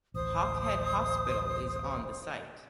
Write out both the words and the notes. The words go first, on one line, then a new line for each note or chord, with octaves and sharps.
Hawkhead Hospital is on the site.
D1 A1 C5 D#6